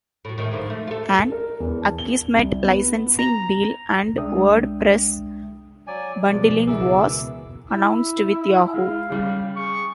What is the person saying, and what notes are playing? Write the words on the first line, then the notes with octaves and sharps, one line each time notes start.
An Akismet licensing deal and WordPress bundling was announced with Yahoo!
A2 F#3
A2 D#3 A3
G#2 D3 F3
A3
F4 A4
A#4
E2
A5
G7
C2
B3
A#5
C2 G#3 D4 E5 G5 D#6
F#3 D5 G#5
B2 F3 G#3 B3 D5
C#2 E3 G#4 A#4 E5 D6 E6
E4
G#3 F5
C#3 G3
G#4 C#6